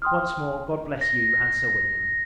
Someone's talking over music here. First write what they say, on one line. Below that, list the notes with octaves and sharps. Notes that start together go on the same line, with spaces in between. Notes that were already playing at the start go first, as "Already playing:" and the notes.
Once more, God bless you and Sir William.
G5 C6 D#6 F6
A#6